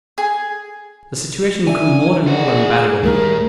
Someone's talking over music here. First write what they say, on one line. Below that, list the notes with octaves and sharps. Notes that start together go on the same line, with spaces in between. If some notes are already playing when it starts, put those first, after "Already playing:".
The situation grew more and more unbearable.
G#4
D5 E5 G#5
F4 G#4 F#5
D2 A2 D#3 G3 A3 A#4